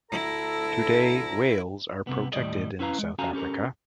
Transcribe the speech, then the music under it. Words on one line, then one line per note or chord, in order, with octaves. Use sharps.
Today whales are protected in South Africa.
D2 E4 A4 A#5
C2 C3 B3
D#2 A2 G3 D5 D#5
B3 C#4 E4 B4 F5 A#5
G#3
C#4 F#4 A4 F5 G#5 A#5
C#4 G4 A4 A#4